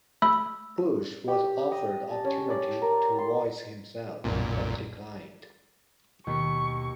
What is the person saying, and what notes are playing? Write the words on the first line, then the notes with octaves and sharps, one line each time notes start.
Bush was offered the opportunity to voice himself, but declined.
A3 B5 E6
G4
D#5
A5
C#4
D5
A#4
C6
B1 F#2 A#2
D#2 B2 C#6 B6